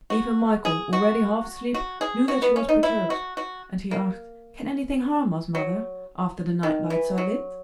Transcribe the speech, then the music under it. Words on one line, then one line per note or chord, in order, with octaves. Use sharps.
Even Michael, already half asleep, knew that she was perturbed, and he asked, "Can anything harm us, mother, after the night-lights are lit?"
F#4
G#4
F#4
F#4
G#4
F#4
B3
C#4
D#4
E4
F#4
F#4
A#3
F#3
D#3
E3
F#3